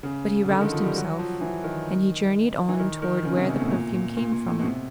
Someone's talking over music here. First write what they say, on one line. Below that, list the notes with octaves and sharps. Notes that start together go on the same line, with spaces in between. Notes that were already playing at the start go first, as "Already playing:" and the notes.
But he roused himself, and he journeyed on toward where the perfume came from.
C#3
C#3
D3
D#3
F3
G3
F#3
F3
E3
D#3
E3
D#3
D#3
C#3
C3
B2
A2
A#2
A#2
A#2
A#2
A2
B2
C3